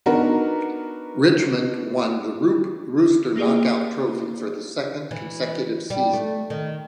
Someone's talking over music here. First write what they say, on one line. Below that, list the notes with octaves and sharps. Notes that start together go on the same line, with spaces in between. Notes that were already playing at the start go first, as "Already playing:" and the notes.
Richmond won the Roope Rooster knockout trophy for the second consecutive season.
B3 D4 D#4 F#4 A#4 B4
A#3 F4 G4 G#4 D5
E3
G3
A3
D#3